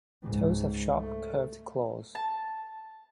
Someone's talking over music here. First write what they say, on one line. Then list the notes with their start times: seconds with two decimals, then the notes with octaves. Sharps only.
The toes have sharp, curved claws.
0.22 C#2 G#2
0.98 A3
2.15 A5